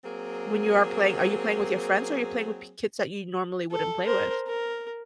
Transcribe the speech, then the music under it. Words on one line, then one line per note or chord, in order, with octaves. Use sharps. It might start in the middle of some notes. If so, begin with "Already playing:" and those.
when you are playing Are you playing with your friends or are you playing with p kids that you normally wouldn't play with?
F#3 A#3 C4 G#4
A4
A#4 C5
A#4